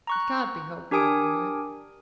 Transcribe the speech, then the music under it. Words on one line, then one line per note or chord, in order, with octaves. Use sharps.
It can't be helped now, you know.
A#5 C#6 F#6
D4 G4 A#4 G#5 D#6 D7